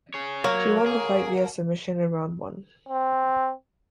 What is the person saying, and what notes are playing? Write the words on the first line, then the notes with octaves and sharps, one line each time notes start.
She won the fight via submission in round one.
G#4 C#5
F#3 A#3 C#5
G#4
C4